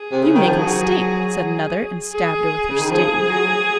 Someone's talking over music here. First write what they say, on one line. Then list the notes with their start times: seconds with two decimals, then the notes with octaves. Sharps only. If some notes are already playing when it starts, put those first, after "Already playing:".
"You make a mistake," said another, and stabbed her with her sting.
Already playing: G#4
0.11 C3
0.22 C#3
0.35 D#3
0.46 F3
0.58 F#3
2.12 G#4
2.69 C#3
2.79 D#3
2.90 F3 G#4
3.29 F#3